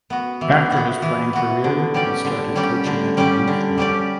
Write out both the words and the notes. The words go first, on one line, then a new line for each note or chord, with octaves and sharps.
After his playing career he started coaching at the youth level.
B3 F#4
E3
B3 F#4
E3
B3 F#4
D3
G3 C#4 G4 D5
D3
G3 C#4 G4 D5
D3
G3 C#4 G4 D5
D3
G3 C#4 G4 D5